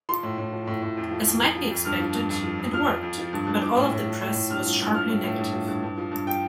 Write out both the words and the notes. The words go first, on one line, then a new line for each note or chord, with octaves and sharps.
As might be expected, it worked, but all of the press was sharply negative.
F3 C6
A2
A2
F3
A2
A2
F2
F3
F2
F2
F3
F2
G2 F6
F3
G2
F2
F3
F2
F3 F6
F2
F2
F3
G2
G2
F3 D6
A2
A2
F3
A2
A2
G2 F6
F3
G2
F3 F6
A2
A2
G2
F3
G2
G2
F3
G2
F3 G5